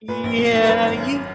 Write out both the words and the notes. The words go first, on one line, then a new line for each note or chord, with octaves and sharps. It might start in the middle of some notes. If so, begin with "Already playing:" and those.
Yeah, you
A#2 B4
A#1
B2
B1
A#4
F#2 B4
G#1
F#2